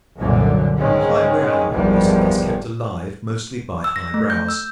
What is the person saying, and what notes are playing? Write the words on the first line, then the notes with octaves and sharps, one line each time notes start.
"Highbrow" music is kept alive mostly by highbrows.
C2 F#2 A#2 D3
G#2 D#3 G#3 C#4
G#1 E2 G2 F3 G3
E6
A#6
A3
G6
E6